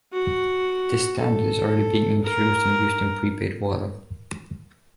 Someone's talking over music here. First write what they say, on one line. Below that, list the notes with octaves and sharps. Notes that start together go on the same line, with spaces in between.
This standard is already being introduced and used in prepaid water.
F#4
A4
A#4